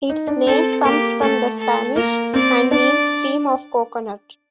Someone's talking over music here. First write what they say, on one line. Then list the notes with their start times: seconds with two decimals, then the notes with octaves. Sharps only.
Its name comes from the Spanish, and means "cream of coconut".
0.10 D#4
0.27 D4
0.47 C4 A4
0.84 A#3 G4
1.21 A3 A4
1.59 A4
1.96 A#3 A#4
2.34 C4 D5
2.71 D4 D5